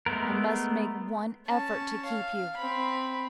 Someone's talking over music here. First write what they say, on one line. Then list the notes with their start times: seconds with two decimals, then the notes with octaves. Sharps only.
I must make one effort to keep you....
0.06 G#3 A3 B3 A#4
1.48 C#4 A5
2.06 F5
2.58 C4 B5